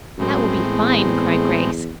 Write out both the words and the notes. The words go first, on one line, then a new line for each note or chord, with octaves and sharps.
"That will be fine," cried Grace.
F#2 A2 G#3 C4
E2